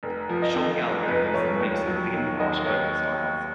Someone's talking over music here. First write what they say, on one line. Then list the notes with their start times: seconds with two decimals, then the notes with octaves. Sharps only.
Shawn Gallagher uses a mix of clean and harsh vocal styles.
0.03 F1
0.29 F3
0.42 D#5
0.55 F2
0.81 F1
1.08 F1 B4
1.34 F3 C#5
1.60 D#2
1.87 F#3
2.13 D#3
2.40 D#2 D#5
2.65 D#2 C#5